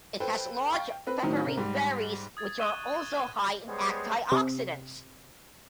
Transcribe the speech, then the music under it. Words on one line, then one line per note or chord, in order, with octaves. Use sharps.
It has large, peppery berries which are also high in antioxidants.
A4 B4 C5 G5
F5 G5 C#6
C4 B4
A2 D#3 F#3 C4 D#4
C3 A#4
G#2 G3
D#6 G#6 A6
C#6 F#6 D#7 E7 G7
G3 G#3 B3 G#4 C5 C#5
C3